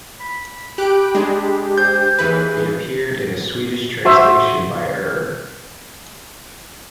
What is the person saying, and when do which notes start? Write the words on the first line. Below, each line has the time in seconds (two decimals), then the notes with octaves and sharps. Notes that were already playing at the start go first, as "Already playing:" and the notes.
It appeared in a Swedish translation by Er.
0.20 B5
0.78 G4 F#6 D7
1.15 G#3 D4
1.78 C5 G6
2.19 D#2 E3 G#4 B4
4.05 F#4 C5 E5